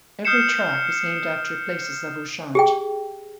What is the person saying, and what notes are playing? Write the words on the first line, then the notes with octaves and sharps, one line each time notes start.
Every track is named after places of Ushant.
D#6 F6 G6 C7 C#7 E7
G4 G#4 G5